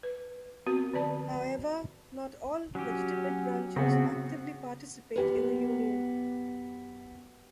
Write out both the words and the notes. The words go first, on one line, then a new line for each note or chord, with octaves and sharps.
However, not all legitimate branches actively participate in the union.
B4
B3 C4 F#4 A#4
D3 F3 B4 D5 A5
F#3 C#4 G4
C#3 B3 C4 F#4
F#2 B2 B3 G4 B4